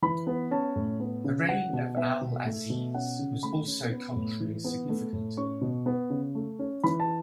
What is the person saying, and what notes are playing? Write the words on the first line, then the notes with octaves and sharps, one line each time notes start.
The reign of Al-Aziz was also culturally significant.
E3 B5
B3
C#4 A5
A2
B3
C#3
C#4 F#5
B2
B3 E5
B2
A3
B2
C#4 F#5
C#3
A3 B5
C#4
B3
A2
E3
B3
A3
A2
C#4 C#6
B2
B3
C#3
A3
C#4
E3 B5
A5